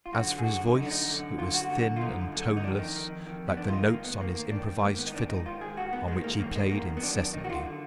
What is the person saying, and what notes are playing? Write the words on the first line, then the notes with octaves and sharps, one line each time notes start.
As for his voice, it was thin and toneless, like the notes on his improvised fiddle, on which he played incessantly.
F4
F#2 D3 F#4
G#4
F#2 D3 F#4
F#2 D3 D#4
D4
D#4
F#2 D3
F#2 D3 F4
F#4
F#2 D3 F#4
F4
F#2 D3 D#4
F#2 D3
D#4
F2 D#3 D4
D#4
F2 D#3
F2 D#3
B3
F2 D#3 D4
F4
D#4
G#2 D#3 A#3
B3
G#2 D#3 A#3
A#3
G#2 D#3 D4
G#2 D#3 A#3
B3
D#4
G#2 D#3 D4
D#4
G#2 D#3 F4
G#4
G#2 D#3 F#4
B3
G#2 D#3 G#3
A#3
F#2 D#3 A#3
G#3
F#2 D#3 A#3
B3
F#2 D#3 D4
D4
F#2 D#3 D#4
F#4
F4
D3